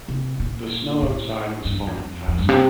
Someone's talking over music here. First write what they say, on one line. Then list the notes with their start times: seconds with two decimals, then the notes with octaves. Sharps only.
The snow outside was falling faster.
0.09 C3
0.40 A#2
1.03 A2
1.65 G2
1.76 G2
1.87 F2
1.97 F2
2.28 F2
2.39 G2
2.49 C3